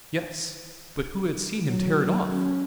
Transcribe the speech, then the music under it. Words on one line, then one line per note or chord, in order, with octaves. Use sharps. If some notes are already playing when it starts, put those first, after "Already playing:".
Yes! but who had seen him tear it off?
F#3
C#4